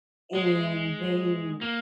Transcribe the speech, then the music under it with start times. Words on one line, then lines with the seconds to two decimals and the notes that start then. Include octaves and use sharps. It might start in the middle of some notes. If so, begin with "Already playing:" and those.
and they
0.35 G#3
1.61 A#3